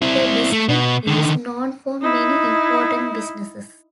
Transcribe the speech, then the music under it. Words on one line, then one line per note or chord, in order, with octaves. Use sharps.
The district is known for many important businesses.
C4 E4
A3
B2 B3
D3 D#3
D#4 E4